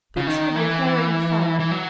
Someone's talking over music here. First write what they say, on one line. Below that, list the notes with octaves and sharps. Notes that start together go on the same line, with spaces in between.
Put some of your hair in the fire.
C#3
D#3
E3
E3
F#3